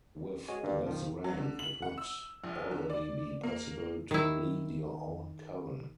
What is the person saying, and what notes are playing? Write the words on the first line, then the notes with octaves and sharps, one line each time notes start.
With this rank, it would already be possible to lead your own coven.
G#3 F#4 C#5 G#5
G2 D3 A#3
B1 D#3 F3
F#3
D3
F#7
F#5
E6
A#1
D3
D5
A#3
D#3 E4